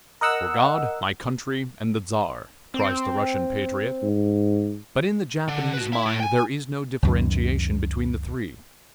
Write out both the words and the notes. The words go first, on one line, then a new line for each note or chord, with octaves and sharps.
"For God, my country, and the Czar!" cries the Russian patriot; but in the Japanese mind there is no differentiation between the three.
A#4 D#5 F#5 E6
C4
G#2
D3
F#4 B4
E4
A2
G5 G#5
C#2 F#2 D#3